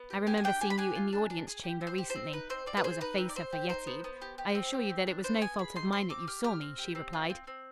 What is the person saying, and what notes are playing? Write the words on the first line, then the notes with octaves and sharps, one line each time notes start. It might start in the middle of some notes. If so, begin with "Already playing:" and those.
'I remember seeing you in the audience chamber recently.' That was a facer for Yetive. 'I assure you that it was no fault of mine that you saw me,' she replied.
Already playing: B3
G4
G4 G#5
G#5
D4 G5
G4 G#5
B5
D4 G#5
F4
D4
D4
G#4
G4
C4
C5
G4
C5
C4
D#4 B4
C4 C5
C4 D5
B4
G#4 C5
D#4 B4
C4
D5
C4 C5
G4
D#4 C5
B3
B3
G4
G4
C4
G4
C4
D4
B3 C5
B3 G#5
G#4 B5
D#4 C6
C4 C6
C4 D6
G4 F6
G4 F6
C4
G4
C4
F4
C4
C4